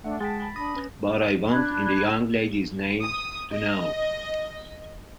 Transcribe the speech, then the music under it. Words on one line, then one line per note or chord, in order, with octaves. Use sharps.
But I want, in the young lady's name, to know.
A3 D4 F#5
G#3 G#4 G5 A5 A6 B6
B5
D4 B5 D#6 A#6
C#4 B4
D4 B5 F#6 G#6
D#6
D#5